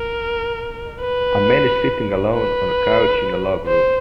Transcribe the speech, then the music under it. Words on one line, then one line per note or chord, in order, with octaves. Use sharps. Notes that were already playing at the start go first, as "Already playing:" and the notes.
A man is sitting alone on a couch in a log room.
Already playing: A#4
B4
B4
C5